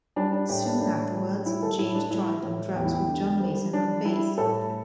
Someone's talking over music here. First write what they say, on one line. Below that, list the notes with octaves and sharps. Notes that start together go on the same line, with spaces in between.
Soon afterwards, James joined on drums with John Mason on bass.
G3 D4
D4
A2 G4
D4
A2 D4
G3
G3 E4
A4
A2 E4
D4
G3 E4
A2
E2 G4
E4
G4
D3
G3 C5
G3 D4
G3 E4
A2 A4